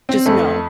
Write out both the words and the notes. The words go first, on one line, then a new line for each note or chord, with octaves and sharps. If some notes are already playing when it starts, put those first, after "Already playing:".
Just, no.
C4
F2 A3